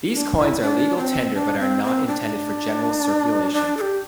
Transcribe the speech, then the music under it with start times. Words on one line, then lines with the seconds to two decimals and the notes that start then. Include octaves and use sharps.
These coins are legal tender but are not intended for general circulation.
0.13 D4
0.38 E4
0.61 D4
0.98 C4
1.34 D4
1.59 C4
1.83 C4
2.07 D4
3.53 D4
3.77 A4
3.81 G4